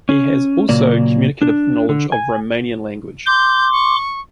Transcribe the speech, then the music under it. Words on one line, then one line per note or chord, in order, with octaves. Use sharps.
He has also communicative knowledge of Romanian language.
C#4
A#2 C#3 F#3 A#3 D5
D4
D3
G#5
C6 D6 G6
C#6